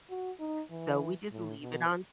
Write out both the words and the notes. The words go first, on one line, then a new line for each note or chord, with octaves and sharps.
So, we just leave it on
F#4
D#4
E3
A2
B2